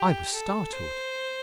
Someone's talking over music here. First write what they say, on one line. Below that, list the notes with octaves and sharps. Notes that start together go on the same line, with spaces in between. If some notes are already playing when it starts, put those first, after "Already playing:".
I was startled.
Already playing: G4
A4
C5